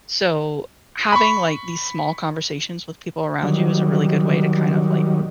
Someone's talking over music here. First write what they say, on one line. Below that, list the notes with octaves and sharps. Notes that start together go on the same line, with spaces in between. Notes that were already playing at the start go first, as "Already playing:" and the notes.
So, having, like, these small conversations with people around you is a really good way to, kind of, like,
B5 C#6
D#3 F#3 G3